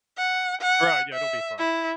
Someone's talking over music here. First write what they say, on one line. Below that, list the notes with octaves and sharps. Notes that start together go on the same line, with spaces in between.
Right, yeah, it'll be fun.
F#5
F#5
E5
E4